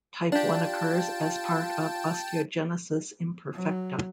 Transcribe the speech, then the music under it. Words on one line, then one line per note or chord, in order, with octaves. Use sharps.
Type One occurs as part of osteogenesis imperfecta.
D4 F4 G4 G5 A5
F#3